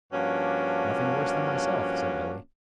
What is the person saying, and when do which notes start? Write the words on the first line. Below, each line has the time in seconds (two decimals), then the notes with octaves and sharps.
"Nothing worse than myself," said Billy.
0.13 G2 F3 A#3 C#4 D4 F#4